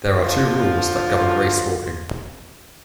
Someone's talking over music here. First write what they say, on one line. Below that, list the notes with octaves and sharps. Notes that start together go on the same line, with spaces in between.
There are two rules that govern racewalking.
D3 F3 F4